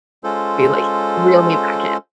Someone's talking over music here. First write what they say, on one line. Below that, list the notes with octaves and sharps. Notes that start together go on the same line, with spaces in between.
be, like, reel me back in.
G#3 C#4 F4 A4 C5